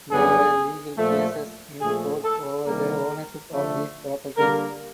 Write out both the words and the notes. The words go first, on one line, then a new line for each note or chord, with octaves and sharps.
There were legal cases in court over the ownership of these properties.
F#2 D3 G3 B3 G#4
A#2 F3 A3
A#2 F3 A3 G#4
A4
C3 D#3 G3 A#3 A#4
D3 F3 A3
D3 G3 A#3 A#4